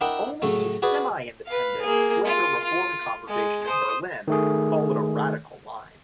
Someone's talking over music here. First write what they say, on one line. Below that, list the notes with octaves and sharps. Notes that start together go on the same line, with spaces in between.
Only the semi-independent, splinter Reform Congregation in Berlin followed a radical line.
D4 E4 A#4 D#5 F#5 G5
A2 C#3 F#3 A3
F#4 G#4 B4 D5 G#5
B4 F5
A#3 G#4
F4 F5
F4
G#3
C5 D#6
D#3 A3 G#4